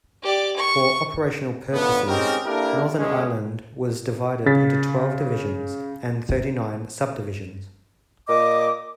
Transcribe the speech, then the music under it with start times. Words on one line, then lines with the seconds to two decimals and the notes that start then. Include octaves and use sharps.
For operational purposes, Northern Ireland was divided into twelve Divisions and thirty-nine Sub-Divisions.
0.23 G4 D5
0.57 C#6
1.73 A2 D3 F3 B3
2.08 G#3 C4 C#4 D#4 G4 A#4
2.45 A#3 D4 E4 G4 A4 A#4
2.98 G#3 A3 C#4
4.46 C#3 A6 B6
8.28 A#2 D#5 D6